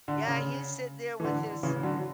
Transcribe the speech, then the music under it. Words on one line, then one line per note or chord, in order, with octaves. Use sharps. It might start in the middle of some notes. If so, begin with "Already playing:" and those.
yeah, he's sit there with his
D3
C#3
E3
D3
C#3 E3
D3 F#3